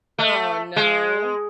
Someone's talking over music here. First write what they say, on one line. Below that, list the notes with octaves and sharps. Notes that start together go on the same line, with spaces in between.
Oh, no.
A3
G#3